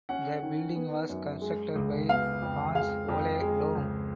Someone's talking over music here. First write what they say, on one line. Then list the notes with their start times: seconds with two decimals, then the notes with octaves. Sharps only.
The building was constructed by Hans Ole Blom.
0.09 C#4 F#5
0.43 D#3
0.75 B3
1.09 F#2
1.42 G#3
1.75 C#2
2.09 B3 F5
2.42 F2
2.75 G#3 F5
3.08 F2
3.41 G#3
3.75 C#2